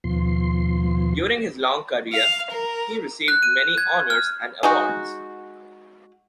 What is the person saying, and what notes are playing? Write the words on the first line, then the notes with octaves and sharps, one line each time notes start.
During his long career, he received many honours and awards.
D#2 B2 F3 C6
F5
A#4
F#6
D#7
G#6
F6
G#3 D#4 F#4